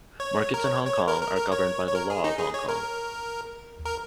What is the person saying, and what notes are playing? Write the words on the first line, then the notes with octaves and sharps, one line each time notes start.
Markets in Hong Kong are governed by the law of Hong Kong.
C#5
A#4
C#5
C#5
A#4
A#4
A#4
C#5
C#5
A#4
G#4
D#4
G#4
C#5
A#4
A#4